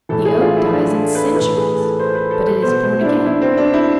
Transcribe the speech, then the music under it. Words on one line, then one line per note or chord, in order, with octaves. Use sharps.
The oak dies in centuries, but it is born again.
A2 E3 A4
G#4
F4
E4
D4
A4
B4
A2 E3 B4
G#4
A4
C5
B4
A4
B4
B2 C5
C5
E4
D4
E4
C4
D4
E4